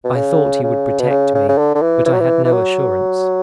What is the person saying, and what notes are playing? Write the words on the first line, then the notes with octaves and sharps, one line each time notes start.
I thought he would protect me, but I had no assurance.
B2
C#3
C#3
B2
C#3
C#3
C#3
D3
D3
E3
E3
F#3
E3
E3
F#3